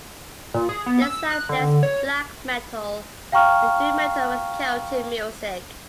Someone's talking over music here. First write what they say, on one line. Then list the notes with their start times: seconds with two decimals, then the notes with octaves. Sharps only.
Their sound blends black metal and doom metal with Celtic music.
0.54 A#2
0.69 G#4
0.86 B3
1.02 E6
1.30 F#6
1.49 D3
1.83 C#5
3.32 F5 G5 A#5 C#6 F6